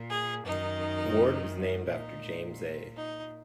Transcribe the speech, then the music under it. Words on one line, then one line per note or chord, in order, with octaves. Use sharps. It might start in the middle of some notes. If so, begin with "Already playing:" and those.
Ward was named after James A.
Already playing: A#2
G#4
F#2 D#3 D#4
A#2 D#4
D#4